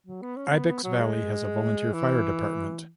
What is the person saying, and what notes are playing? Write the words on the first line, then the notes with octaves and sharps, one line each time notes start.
Ibex Valley has a volunteer fire department.
F#3
B3
C#4
B3
B3
F#3
G#3
E3